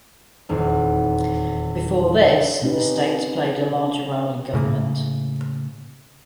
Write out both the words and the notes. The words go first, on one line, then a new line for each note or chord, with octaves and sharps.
Before this, the states played a larger role in government.
D#1 E2 C4 D#4
C3 C4 C#4 D#4 G4 B4
A2 C#3 A#3